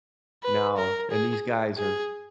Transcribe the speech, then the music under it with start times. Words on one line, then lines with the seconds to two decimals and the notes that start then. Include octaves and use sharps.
now, and these guys are
0.43 B4
0.77 A#4
1.11 G#4
1.78 G#4